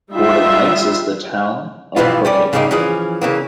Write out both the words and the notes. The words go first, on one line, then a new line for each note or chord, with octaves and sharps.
Gordon Heights is in the Town of Brookhaven.
G3 D#4 F4 E5
G2 B2 E3 F3 B3 F4
G3 C#4 D5
G#2 C#3 G3 A#3 B3 D#4
E3 F3 C#4 G#4
C#3 E3 A#3